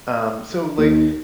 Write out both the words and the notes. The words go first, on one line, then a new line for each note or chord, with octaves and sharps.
um, so, like,
D#2